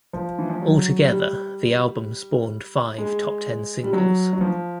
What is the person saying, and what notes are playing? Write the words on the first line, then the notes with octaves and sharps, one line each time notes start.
Altogether the album spawned five top-ten singles.
F3
E3
F3
F#3
G3
G#3
G3
F#3
F#3
F3